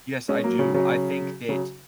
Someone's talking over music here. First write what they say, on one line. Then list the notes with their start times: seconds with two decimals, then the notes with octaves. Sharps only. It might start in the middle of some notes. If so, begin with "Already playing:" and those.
yes, I do. I think that
0.29 G#3 C#4
0.44 F#3 A#3
0.59 C#3 F#3
0.74 C#3 F#3
1.49 C#3 F#3